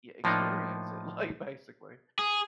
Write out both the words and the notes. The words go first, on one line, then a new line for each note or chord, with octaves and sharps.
yeah, experience it, like, basically
A2 F3 A#3 D4 D#4
G#4